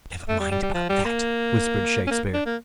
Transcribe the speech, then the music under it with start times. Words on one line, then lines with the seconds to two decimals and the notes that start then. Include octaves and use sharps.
"Never mind about that," whispered Shakespeare.
0.28 A3
0.40 G3
0.51 G3
0.63 G3
0.74 F3
0.89 G3
1.05 A#3
2.07 C#4
2.11 A#3
2.34 D4
2.46 A#3